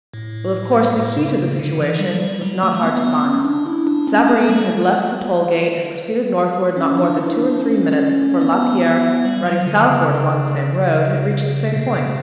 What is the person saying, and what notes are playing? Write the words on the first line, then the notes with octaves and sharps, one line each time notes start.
Well, of course, the key to the situation was not hard to find. Savareen had left the toll-gate and proceeded northward not more than two or three minutes before Lapierre, riding southward along the same road, had reached the same point.
A2
A2
C#3
C#3
D3
E3
G3
G3
F#3
A3
A3
B3
B3
C#4
D4
E4
D4
C#4
B3
G3
A3
C#4
D4
E4
D4
C#4
B3
G3
F#3
D3
C#3
B2
C#3